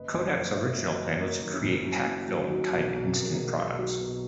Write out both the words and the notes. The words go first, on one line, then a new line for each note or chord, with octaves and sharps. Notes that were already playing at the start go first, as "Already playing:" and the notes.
Kodak's original plan was to create packfilm type instant products.
Already playing: F#1 B4 D#5
F#2 B4 D#5
F#1 B4 D#5
F#1 C#5 E5
F#3
B4 D#5
F#1
F#3 A#4 C#5
D#3
C#4 E4
F#1
F#3
F#3
F#3
F#3 D#4 F#4
B1
B1
B1 A#4
G#4
B1 F#4 A#4
B1
F#3 D#4 F#4
B2